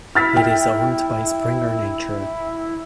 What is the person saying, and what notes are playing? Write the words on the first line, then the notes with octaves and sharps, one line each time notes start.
It is owned by Springer Nature.
E4 F6 A6 B6
G5